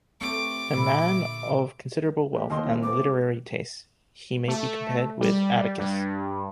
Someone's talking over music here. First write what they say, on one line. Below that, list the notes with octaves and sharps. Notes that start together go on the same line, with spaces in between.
A man of considerable wealth and literary tastes, he may be compared with Atticus.
A3 C4 G4 C5 D6
A#2 D3 E5 B5
A3 A#3 G4
D#2 D#5 C6
A#3 C4 E4
A3 B3 C4 D6
A3
G3
G2